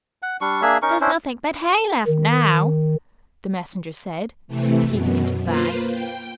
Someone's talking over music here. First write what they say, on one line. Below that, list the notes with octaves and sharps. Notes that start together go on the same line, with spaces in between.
'There's nothing but hay left now,' the Messenger said, peeping into the bag.
F#5
G3 D4 C#6
A#3 D4 G#4 E5
C#4 D#4 A#4 C#6
C#4 D4 E4 C5
D#3
C3 E3 A3
F#2 B2
A#3 F4 B4 C5
G5